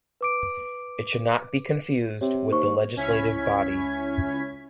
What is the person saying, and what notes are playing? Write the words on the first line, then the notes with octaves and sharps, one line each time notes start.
It should not be confused with the Legislative body.
B4 D6 D7
C3 C#5
D#2 C5 C#6
C#2 C#4 E4 G#6 B6